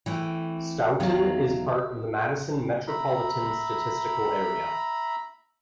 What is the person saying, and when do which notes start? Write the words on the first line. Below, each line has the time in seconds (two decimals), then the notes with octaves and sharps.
Stoughton is part of the Madison Metropolitan Statistical Area.
0.06 E3 A3 C4
1.00 E2 D#3 F#3 F5
2.88 E5 A#5 B5